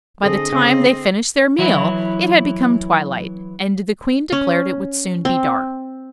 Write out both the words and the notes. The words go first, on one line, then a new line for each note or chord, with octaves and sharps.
By the time they finished their meal it had become twilight, and the Queen declared it would soon be dark.
D3 C4 G#4 A4 D#5
C#3 C4
E3 F#3 E4
C#4
C4